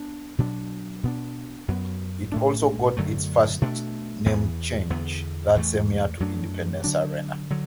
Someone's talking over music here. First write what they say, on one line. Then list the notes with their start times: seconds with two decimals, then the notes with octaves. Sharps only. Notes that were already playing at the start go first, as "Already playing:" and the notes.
It also got its first name change that same year to Independence Arena.
Already playing: B3 D4
0.38 B2 F#3 D4
1.03 B2 B3 D4
1.68 F#2 F#3 B3
2.32 A2 A3 D4
2.97 F#2 D3 F#3 A3
3.61 B2 A3 D4
4.26 E2 E3 B3
4.90 E2 D3 B3
5.56 E2 E3 A3
6.20 F#2 F#3 A3 D4
6.84 D3 F#3 D4
7.50 D3 F#3